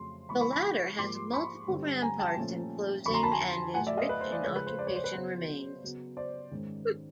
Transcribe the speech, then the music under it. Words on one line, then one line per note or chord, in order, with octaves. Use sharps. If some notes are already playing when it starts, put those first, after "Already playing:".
The latter has multiple ramparts enclosing and is rich in occupation remains.
Already playing: F2 C#3 F#3 A3 C6
C#3 E3 G#3 B5 C#6
B5 C#6
B5 C#6
G#2 F3 A#3 C6 D6
B5 C#6
G2 D3 G3 C4
G#5 A#5
G5 A5
A#2 F3 A3 C#4
F2 D3 F#3 B5 C#6
A#5 C6
A5 B5
G#5 A#5
A2 F#3 A3 F#5 G#5
D5 E5
D#5 F5
B4
C5
C5 D5
C#3 F3 G#3 B4 C#5
B4
C5
C5 D5
B4 C#5
C5
B4
C#3 F#3 B3 C5
C#3 F#3 B3
C5 D5
G#2 D#3 G#3 C#4